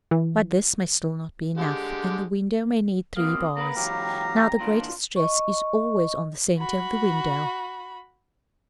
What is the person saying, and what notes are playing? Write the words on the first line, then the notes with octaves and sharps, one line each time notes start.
But this may still not be enough, and the window may need three bars. Now the greatest stress is always on the centre of the window.
E3
D3 G#3 G4
C3 A#3 F5 D#6
A#3 B4 A#5
C#2 E3 F#3 G4 F5 G5
A#2 E3 D4 F4
D#5 C#6
F#4 B5